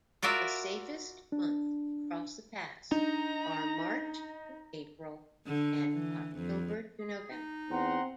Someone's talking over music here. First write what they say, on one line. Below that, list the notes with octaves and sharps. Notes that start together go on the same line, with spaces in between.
The safest months to cross the pass are March-April and October-November.
F4 F#4 A#4 D5 E5
D4
D4 D#4 A#5
D3
E3
F2
G#4
D#4
E2 C4 F#5 A#5 C6